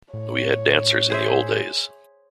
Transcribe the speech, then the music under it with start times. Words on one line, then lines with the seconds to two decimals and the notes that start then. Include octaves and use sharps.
We had dancers in the old days.
0.14 A2 C#5
1.10 G#4 C5 E5